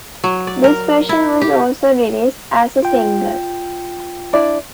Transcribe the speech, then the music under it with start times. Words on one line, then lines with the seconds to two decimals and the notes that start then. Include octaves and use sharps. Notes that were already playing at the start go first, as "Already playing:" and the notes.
This version was also released as a single.
0.24 F#3
0.47 D5
0.64 A#4
1.09 E4
1.41 G4
2.82 F4 G5
4.33 D4 E4 D5